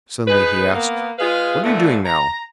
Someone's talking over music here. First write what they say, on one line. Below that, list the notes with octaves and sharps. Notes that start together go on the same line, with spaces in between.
Suddenly he asked: "What are you doing now?"
D#4 G#4 B4
A#3 B3
G#3 F4 G#4 B4 F5
A#2 D3 E3 A3
A#5